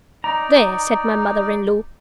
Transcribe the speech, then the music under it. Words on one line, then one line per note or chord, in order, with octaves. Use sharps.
"There!" said my mother-in-law.
D#4 D5 A#5